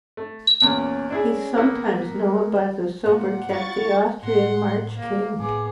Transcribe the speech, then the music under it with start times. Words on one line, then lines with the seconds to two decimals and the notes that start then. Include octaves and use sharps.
He is sometimes known by the sobriquet "The Austrian March King".
0.17 A3
0.62 E2 A#2 C#4
1.10 C#4 D4 E4 G#4
1.57 A#3 B3 E4
1.87 A#4
3.06 A#2 F#5
3.49 D4 E4 F4 C#6 A6
4.23 A2 F#5 C6
4.96 A#3
5.39 A2 B3 G#4 D6